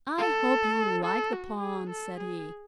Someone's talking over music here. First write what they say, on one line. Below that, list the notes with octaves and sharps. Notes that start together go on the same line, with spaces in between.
"I hope you'll like the pond," said he.
A4
A4
F#4
G#4
A4
G#4